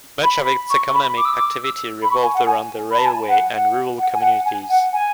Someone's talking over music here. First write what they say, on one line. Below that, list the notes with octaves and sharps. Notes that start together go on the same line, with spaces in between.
Much of its economic activity revolved around the railway and rural communities.
B5
C#6
B5
D6
E6
D6
E6
B5
C#6
G#5
F#5
G#5
B5
A5
G#5
F#5
F#5
F#5
G#5
F#5
G#5
F#5
G#5